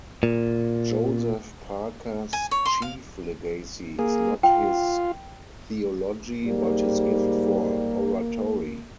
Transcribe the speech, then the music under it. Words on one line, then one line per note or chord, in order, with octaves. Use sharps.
Joseph Parker's chief legacy is not his theology but his gift for oratory.
A#2
G#5
C#5
C6
F5
A#3 G#4
F4 G5
G#2 G3 A#3